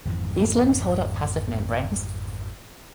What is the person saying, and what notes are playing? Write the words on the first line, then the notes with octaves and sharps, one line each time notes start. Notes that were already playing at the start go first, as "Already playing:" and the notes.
These limbs hold up passive membranes.
G#1 F2 G#2 E3